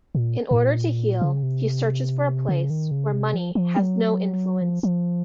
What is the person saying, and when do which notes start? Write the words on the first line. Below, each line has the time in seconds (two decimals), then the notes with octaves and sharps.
In order to heal, he searches for a place where money has no influence.
0.15 A#2
0.51 G#2
0.57 A#2
1.22 C#3
1.43 C3
2.49 C#3
2.70 D#3
2.91 C#3
3.12 C3
3.34 F3
3.55 F3
3.76 F#3
4.61 F3
4.83 F3